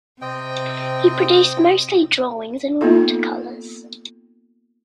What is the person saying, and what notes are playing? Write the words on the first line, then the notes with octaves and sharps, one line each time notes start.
He produced mostly drawings and watercolors.
C3 C4 D#5 G5
A#3 B3 D#4 F4 A4